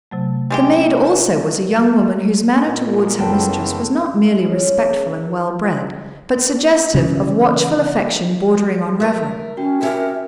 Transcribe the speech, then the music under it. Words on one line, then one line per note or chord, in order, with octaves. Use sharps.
The maid also was a young woman whose manner towards her mistress was not merely respectful and well-bred, but suggestive of watchful affection bordering on reverence.
C3 F#3 A3
G3 G#3 G4
A#2
F#1 C#3 B3 A4 G5
C#3
C#3 E3
A#4 E5
C#4 F#4 G5
C#4 G4 A#4 E5